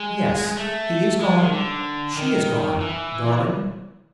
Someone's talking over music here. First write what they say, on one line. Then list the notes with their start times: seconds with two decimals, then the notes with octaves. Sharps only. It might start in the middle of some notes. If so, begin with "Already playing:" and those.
'Yes, he is gone--she is gone, darling.
Already playing: G#3
0.57 A3
1.20 G#3
1.37 D#3
1.52 D3
2.17 D#3
2.80 E3